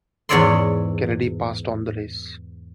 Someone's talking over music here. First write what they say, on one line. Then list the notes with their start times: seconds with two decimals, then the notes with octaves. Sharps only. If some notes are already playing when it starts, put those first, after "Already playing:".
Kennedy passed on the race.
0.29 E2 G#2 C#5 D5 E5 C6